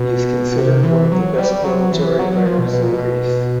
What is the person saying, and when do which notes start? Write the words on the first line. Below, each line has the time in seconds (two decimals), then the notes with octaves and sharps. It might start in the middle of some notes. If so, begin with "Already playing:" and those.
He is considered one of the best military writers in Greece.
Already playing: B2
0.52 B2
0.57 C3
0.83 E3
1.11 F#3
1.38 G3
1.64 F#3
1.92 E3
2.19 F#3
2.32 F#3
2.46 F3
2.58 B2
2.73 B2
2.82 A#2
2.93 B2